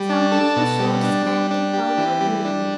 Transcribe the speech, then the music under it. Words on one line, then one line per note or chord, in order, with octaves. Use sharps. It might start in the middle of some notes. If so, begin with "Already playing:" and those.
Some of the shorts can be found on YouTube.
Already playing: G3
D4
A4
B2
G3
D4
G3
D4
G4
E3
G3
D4